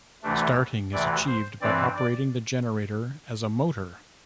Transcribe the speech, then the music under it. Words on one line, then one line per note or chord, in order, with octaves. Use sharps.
Starting is achieved by operating the generator as a motor.
D2 C3 E3 A3 D4
D2 C3 E3 D5
C5
G2 E3 C4 D5
D5